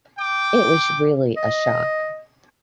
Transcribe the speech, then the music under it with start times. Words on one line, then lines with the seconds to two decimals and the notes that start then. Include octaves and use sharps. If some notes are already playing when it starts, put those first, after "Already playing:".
It was really a shock.
0.19 G5 D6
1.37 D#5